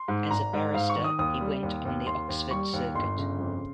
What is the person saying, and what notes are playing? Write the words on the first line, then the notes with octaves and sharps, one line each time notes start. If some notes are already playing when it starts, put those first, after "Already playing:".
As a barrister, he went on the Oxford circuit.
Already playing: C6
G#2
G#1 A#5
G#2
G#2 F5
C#6
D#3
D#6
D#2 D#6
G3
D#2
D#2
D#2 C6
D#2
G3 C#6
D#2
G1 C6
C#3
F2